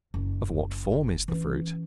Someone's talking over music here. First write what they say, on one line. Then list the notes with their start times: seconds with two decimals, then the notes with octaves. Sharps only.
Of what form is the fruit?
0.14 F#1
1.28 E3 C#4